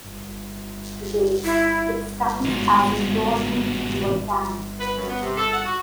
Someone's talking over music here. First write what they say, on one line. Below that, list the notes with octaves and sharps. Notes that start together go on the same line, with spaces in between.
Today, it stands as an dormant volcano.
E4
G#2 B2
B4
F#2
B3
C3
A4
F#5
F#4